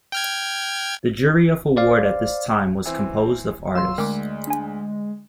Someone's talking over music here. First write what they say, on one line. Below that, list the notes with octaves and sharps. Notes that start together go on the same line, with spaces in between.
The jury of award at this time was composed of artists.
G5 F6 G#6
C5 D5 F5
E3 C4
F#3 F4 C6 E6
D2 D3 G#3 A#4 D6
D4 G#5